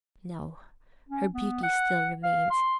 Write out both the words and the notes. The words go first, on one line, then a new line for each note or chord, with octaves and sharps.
No! her beauty still remained.
C#4
B3
F#5
F5
C6